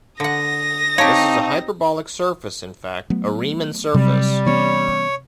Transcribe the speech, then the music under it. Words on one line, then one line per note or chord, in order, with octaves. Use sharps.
This is a hyperbolic surface, in fact, a Riemann surface.
D3 F#5 D#6 A#6
C4 D#4 G4 C#5 F5 A5 C#6
F#3 A3 B3
C3 F#3 G3
E3 B3 C#4 C#5